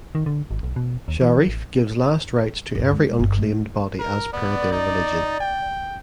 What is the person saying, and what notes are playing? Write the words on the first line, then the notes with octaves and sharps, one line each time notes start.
Sharif gives last rites to every unclaimed body as per their religion.
D#3
D3
G#1
B1
B2
D#2
E3
A1
G2 C#3
G#3
G1
A3
A#4
B3 D5
D#4
G5